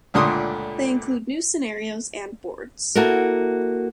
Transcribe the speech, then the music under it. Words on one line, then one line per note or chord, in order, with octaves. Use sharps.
They include new scenarios and boards.
C#2 A#2 D3 A3 C6 D#6
A#3 E4 F#4 A4 A#4